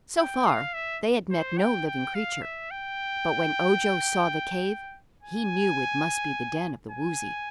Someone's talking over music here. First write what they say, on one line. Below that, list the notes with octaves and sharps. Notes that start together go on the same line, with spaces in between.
So far they had met no living creature, but when Ojo saw the cave he knew it must be the den of the Woozy.
G5
F5
E5
C5
G5
G5
F5
E5
G5
G#5
G#5